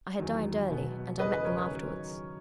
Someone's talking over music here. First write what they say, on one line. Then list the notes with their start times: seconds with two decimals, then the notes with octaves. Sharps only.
I had dined early; and I met them afterwards.
0.18 E2 D#3 F#3
0.69 B2 F#3 B3
1.19 E2 C#3 G#3 C#4 B4 D#5
1.32 B4 D#5
1.45 A#4 C#5
1.58 A#4 C#5
1.71 D#3 F#3